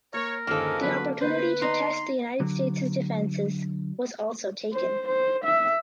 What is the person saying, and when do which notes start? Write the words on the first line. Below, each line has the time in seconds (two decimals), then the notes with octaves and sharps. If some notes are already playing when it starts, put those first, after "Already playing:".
The opportunity to test the United States defences was also taken.
0.14 A#3 A#4 C#5
0.47 G1 D#2 F3 G#3 A#3 C#4 A4
0.82 D3 F#3 B3 B4
1.22 D3 A#3 B3 B4 C5
1.62 D#4 C6
2.40 D3 F#3
4.73 C5
5.08 C5
5.44 E5